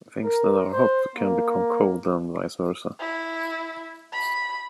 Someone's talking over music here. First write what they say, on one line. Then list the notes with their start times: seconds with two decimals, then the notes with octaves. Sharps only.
Things that are hot can become cold and vice versa.
0.24 A#4
0.73 C5
1.16 A#3
2.99 E4
4.12 B5